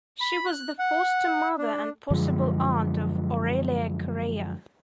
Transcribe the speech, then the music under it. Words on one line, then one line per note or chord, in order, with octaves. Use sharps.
She was the foster mother and possible aunt of Aurelia Correia.
B5
F#6
F#5
D4
F#2 D3 F3 G#3